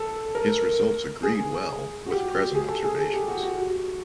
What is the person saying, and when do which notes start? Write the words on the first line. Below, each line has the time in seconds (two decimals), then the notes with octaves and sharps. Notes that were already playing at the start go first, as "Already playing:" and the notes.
His results agreed well with present observations.
Already playing: A4
0.35 A#4
1.23 G#4
2.06 F#4
2.11 G4
2.55 G#4
2.69 A4
2.84 G#4
2.98 G#4
3.14 G4
3.28 F#4
3.43 F#4